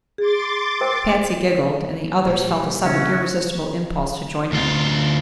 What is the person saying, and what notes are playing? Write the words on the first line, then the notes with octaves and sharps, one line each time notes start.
Patsy giggled, and the others felt a sudden irresistible impulse to join her.
G#4 C6 D6 A6
A#4 C5 G5
A#2 G3
C#3 C#4 D#4 F#4 E5
D2 F4